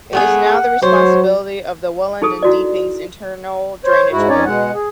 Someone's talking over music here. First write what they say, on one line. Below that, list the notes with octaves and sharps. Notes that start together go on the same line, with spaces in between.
It is now the responsibility of the Welland and Deepings Internal Drainage Board.
A3 B3 G#4 F#5
F#3 C5 C#5
D#4 G#4 A4 D#6
E4 F#4 D5
C5 C#5
G#2 E4 F#4
F2 C#4 D#4 C#5 D5
B2 G#3 F#5
G#4